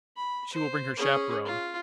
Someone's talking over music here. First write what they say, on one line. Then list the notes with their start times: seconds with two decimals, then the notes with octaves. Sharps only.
"She will bring her chaperone."
0.17 B5
0.53 C5
0.97 C#4 G#4
1.45 F4